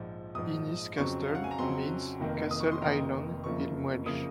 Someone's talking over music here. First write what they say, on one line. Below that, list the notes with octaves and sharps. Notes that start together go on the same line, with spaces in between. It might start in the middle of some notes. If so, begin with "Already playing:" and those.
Ynys Castell means Castle Island in Welsh.
Already playing: A#1 G#2 F3
A#1 G#2 F3 D#6
F2 C#3 F#3 C4 C#6
F5
F#5
G#5
A#5
F2 C#3 F#3 C4 C6
F1 F2 D#3 A#3
D#6
C#6
C6
F1 F2 D#3 A#3 A#5
F#1 F2 C#3 F3 A#3 C#6
F#1 C#3 F3 A#3 D#6